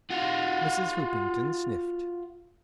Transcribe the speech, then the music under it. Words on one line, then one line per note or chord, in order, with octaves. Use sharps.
Mrs. Hoopington sniffed.
F4 F#4